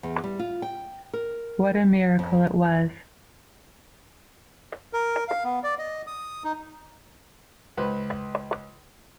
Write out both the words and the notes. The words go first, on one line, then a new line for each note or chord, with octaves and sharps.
What a miracle it was!
E2
G3
F4
G5
A#4
F2
A#4
F5
B3
D5
D#5
D#6
D#4
C#2 B4 C5